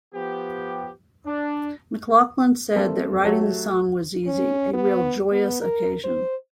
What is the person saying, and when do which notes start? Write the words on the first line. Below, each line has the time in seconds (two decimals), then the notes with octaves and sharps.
McLachlan said that writing the song was easy, a real joyous occasion.
0.14 F3 B3 G4
1.27 D4
2.76 G3 A3 A#3 C4 A4
3.24 F#3 A3 F#4 G4 A4 C#5
4.27 C#4
4.74 B3
5.31 B3
5.61 A#4
6.04 C5